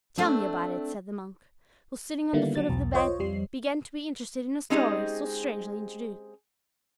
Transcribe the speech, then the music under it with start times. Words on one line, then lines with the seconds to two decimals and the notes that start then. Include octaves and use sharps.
"Tell me about it," said the monk, who, sitting on the foot of the bed, began to be interested in a story so strangely introduced.
0.17 A3 C4 D4
2.33 D3 D#3 G3 A#3 B3 E4
2.56 F#3 A6
2.69 B1 E2
2.94 F4 C5 C#5 D#5
3.19 F2 G3 C7
4.70 G#3 C4 C#4 D#4 G4 G#4